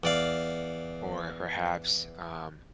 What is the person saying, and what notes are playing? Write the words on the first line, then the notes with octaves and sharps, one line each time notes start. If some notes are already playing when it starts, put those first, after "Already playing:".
or perhaps, um
E2 D5 F5